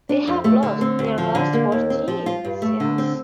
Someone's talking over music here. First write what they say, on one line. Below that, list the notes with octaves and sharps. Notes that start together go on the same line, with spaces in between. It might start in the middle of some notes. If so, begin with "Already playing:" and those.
They have lost their last fourteen since.
D4
F2
A3
D3
C4
D2
F3
D3
A#3
D#2
C4
F3
F4
G2
A3
D3
C4